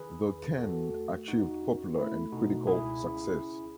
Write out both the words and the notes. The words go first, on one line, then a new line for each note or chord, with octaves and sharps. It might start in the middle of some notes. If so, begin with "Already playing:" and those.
The Ten achieved popular and critical success.
Already playing: D#3 G#4 B4
E2
E2 F#4 A4
A3
E2 D#4 F#4
C#4
A3 E4
B2 D#4 F#4
C#2 E4 G#4
C#4